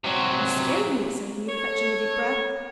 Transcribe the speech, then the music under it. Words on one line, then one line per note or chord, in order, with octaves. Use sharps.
"You scared me!" said he, fetching a deep breath.
C3 F#3
A4 C#5